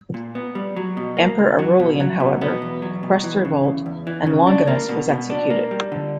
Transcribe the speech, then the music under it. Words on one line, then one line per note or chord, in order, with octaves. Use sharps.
Emperor Aurelian, however, crushed the revolt, and Longinus was executed.
A#2
B3
G3
F#3
B2
A#3
C#2
F#3
B2
F#3
B2
B3
E2
F#3
B2
E3
C#3
E2
E2
E3
C#3
D4
A#3
B2
B2
D4
A#3
G3
D3